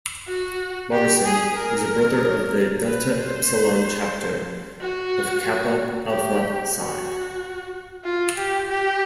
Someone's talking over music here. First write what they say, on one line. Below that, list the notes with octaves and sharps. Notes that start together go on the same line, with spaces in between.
Morrison is a brother of the Delta Epsilon chapter of Kappa Alpha Psi.
F#4
G4
G#4
A#4
B4
C5
F#4
G4
F#4
F4
G4
G4